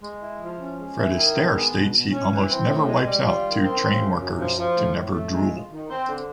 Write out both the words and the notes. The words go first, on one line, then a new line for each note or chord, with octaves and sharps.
Fred Astaire states he almost never wipes out two train workers to never drool.
G#3
E4
F3
C#4
G#3
E4
D#3
B3
G#3
B2
B2
C#4
E3
C4
A2
G#3
G3
F4
D#3
C4
C#3
F#2
F#2
F3
F3
A2
A2
A3
G#3
F4
D#3
C4
D3